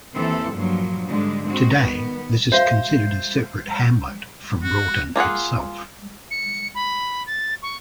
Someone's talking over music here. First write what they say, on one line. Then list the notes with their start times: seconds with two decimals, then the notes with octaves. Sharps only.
Today, this is considered a separate hamlet from Broughton itself.
0.14 D#2 E3 C4 A4
0.53 G2 A#2 F3 F#3
1.07 G#2 D3 G3 G#3
1.45 G#3 C4 F#4
1.79 D#3 B3
2.52 F#4 C5 E5 F5
4.63 F#4
5.16 A#3 F4 G#4 F#5
6.31 C#7
6.75 B5
7.27 A6
7.62 C#6